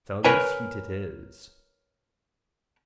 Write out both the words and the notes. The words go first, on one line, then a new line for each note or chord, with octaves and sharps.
Sun's heat it is.
A#4 B4 C#5 G#5